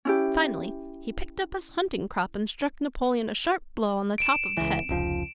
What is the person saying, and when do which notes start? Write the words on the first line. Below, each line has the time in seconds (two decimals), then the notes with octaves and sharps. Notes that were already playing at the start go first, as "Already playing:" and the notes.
Finally, he picked up his hunting-crop and struck Napoleon a sharp blow on the top of the head.
0.05 C#4 E4 G4
4.18 D7 E7
4.57 C#2 E3
4.89 F1 C#2 F3